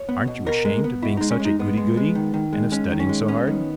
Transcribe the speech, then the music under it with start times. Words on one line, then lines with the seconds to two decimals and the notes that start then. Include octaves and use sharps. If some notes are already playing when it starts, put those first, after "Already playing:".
Aren't you ashamed of being such a goody-goody, and of studying so hard?
Already playing: C#5
0.09 B3
0.27 B2
0.46 B2 A#4
0.65 G#3
0.84 B3
1.02 B2 E4
1.17 G#3 D#4
1.31 C#4
1.40 G#3
1.45 D#4
1.59 G#3 B3
1.77 G#3
1.97 G#3
2.15 D#3
2.34 D#3
2.53 G#3
2.72 G#3 C#4
2.91 D#3
3.00 C#4
3.09 G#3
3.28 B3 C#4
3.47 D#3